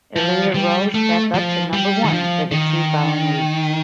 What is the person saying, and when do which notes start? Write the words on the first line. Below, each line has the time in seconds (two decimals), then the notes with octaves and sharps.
It later rose back up to number one for the two following weeks.
0.16 F3
0.55 G3
0.95 A3
1.34 F3
1.73 G3
2.04 D#3
2.13 F3
2.52 D#3